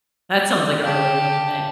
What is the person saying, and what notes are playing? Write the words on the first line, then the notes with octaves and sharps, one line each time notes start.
that sounds like a really neat thing.
D3 G4 F5 A5 G6